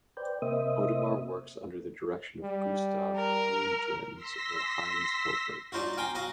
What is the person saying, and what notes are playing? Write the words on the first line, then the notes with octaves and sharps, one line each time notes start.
Odemar works under the direction of Gustav Gründgens or Heinz Hilpert.
B4 C5 D5 G5
C3 A#3 C5 D#5 E5 D#6
G3
A#4
C6 E6 A#6 B6
D4 D#4 F4 F#4
F5 G5 G#5 A#5 C6
F#4 D#5 F5 A#5